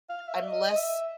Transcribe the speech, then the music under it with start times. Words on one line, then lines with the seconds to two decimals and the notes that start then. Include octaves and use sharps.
I'm less,
0.09 F5
0.28 E5
0.42 D5
0.48 D#5
0.69 D#5
0.76 E5